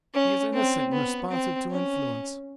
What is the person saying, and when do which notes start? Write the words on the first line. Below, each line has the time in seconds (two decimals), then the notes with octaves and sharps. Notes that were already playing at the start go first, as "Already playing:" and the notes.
He is innocent and responsive to influence.
0.14 C#4
0.53 C4
0.92 B3
1.31 C4
1.71 C#4